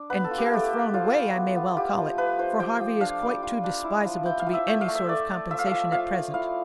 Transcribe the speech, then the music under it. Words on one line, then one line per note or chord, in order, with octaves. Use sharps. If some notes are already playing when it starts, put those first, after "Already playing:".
"And care thrown away I may well call it; for Harvey is quite too despisable to be any sort of compensation at present."
Already playing: D4
B3 B4
A4
F4
G4
A4
A3 G4
A3
F3 F4
F3
B3
B3
F4 G4
F3
F3 B4
F4 C5
F3 G5
F3
D4 F5
G3
F4
D4
E4
F3
E4 G5
F5
F3
E5
A3 G5
F5
A3
E5
A3 D5
A3
F3 E5
F5
F3 E5
F3 F5
F3
E4 F5